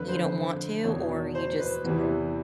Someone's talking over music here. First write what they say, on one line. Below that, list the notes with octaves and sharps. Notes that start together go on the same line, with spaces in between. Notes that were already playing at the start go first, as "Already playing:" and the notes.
you don't want to? Or, you just
Already playing: F2 D3 B4
C5
E2 B2 C#5
C5
B4
E2 C3 E3